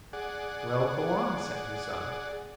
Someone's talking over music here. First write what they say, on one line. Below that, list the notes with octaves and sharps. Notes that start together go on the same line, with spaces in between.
"Well, go on!" said his son.
G#4 D5 F#5